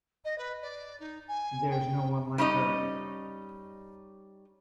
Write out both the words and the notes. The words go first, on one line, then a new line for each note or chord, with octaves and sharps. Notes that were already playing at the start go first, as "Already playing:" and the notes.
There's no one like her.
D#5
B4
D5
D#4
G#5
G5
G3 C#4 D#4 D#5